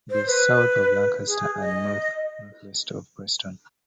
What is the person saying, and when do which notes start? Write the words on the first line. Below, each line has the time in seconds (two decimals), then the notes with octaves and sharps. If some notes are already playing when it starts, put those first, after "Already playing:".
It is south of Lancaster and north-northwest of Preston.
0.10 C5
0.27 B4
1.27 G#4
1.61 D#5